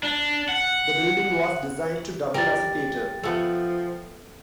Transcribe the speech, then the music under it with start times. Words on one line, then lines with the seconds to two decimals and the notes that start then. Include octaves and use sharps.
The building was designed to double as a theatre.
0.03 D4
0.49 F#5
2.34 G3 A#4 G5 A6
3.23 F3 A3 B3